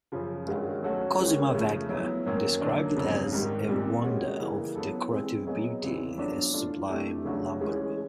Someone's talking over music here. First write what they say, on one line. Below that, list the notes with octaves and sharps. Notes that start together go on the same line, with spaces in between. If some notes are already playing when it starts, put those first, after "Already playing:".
Cosima Wagner described it as a "wonder of decorative beauty, a sublime lumber-room".
F#2 C#3 F3
G2 D#3 G#3 C#4 F#4
F#3 A3 C#4 F#4 A4
D#3 G#3 C#4 F4
C#3 F3 A3
F#3 B3 E4
F#2 D#3 F#3 A#3
D3 F#3 A#3 D4
F2 C#3 F#3
G#2 D#3 G3
A#2 G3 C4
D#3 G#3 C#4 F#4
C#3 E3 G3 A#3
F#3 B3 E4 A4
E3 G#3 C4 E4 G#4
F#3 B3 D#4 G#4
E2 C#3 E3 G3 C4
F#3 B3 D4 F4 A4
E3 A3 D4 F4 A4
C3 E3 A3 D4 G4
C#3 F#3 A3 D4 F#4
E3 G#3 C#4